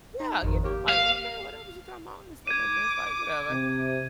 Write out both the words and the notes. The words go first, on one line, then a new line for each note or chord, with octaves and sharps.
Yeah, you know, I'm like, "Okay, whatever she talking about, this then and this" like, "Whatever."
D#4
G#1 F2 D#3
A#3 G4
F5
D6 G#6 D#7
C3